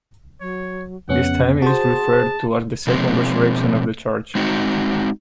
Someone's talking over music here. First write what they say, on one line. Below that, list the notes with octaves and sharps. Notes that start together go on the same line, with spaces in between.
This time is referred to as the "second resurrection" of the church.
F#3 C#5
F2 C#3 B3 C#4 F#5
F#4 G#4 C5 A5
B2 F3 G#3 A#3 C4
G#3 C4 D#4 F#4